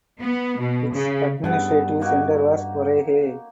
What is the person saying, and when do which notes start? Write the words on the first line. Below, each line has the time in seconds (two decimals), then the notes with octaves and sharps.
Its administrative centre was Orhei.
0.20 B3
0.59 B2
0.94 C#3
1.44 G2 C#3 B3 A4
2.01 A#3 D#4 F#4